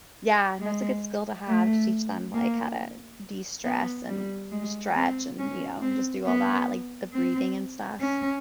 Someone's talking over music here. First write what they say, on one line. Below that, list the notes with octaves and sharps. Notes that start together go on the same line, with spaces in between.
Yeah. No, it's a good skill to have to teach them, like, how to destress and stretch and, you know, just do all that, like, the breathing and stuff.
G#3
A3
A#3
B3
G3
G#3
C4
C#4
C4
B3
C4
C#4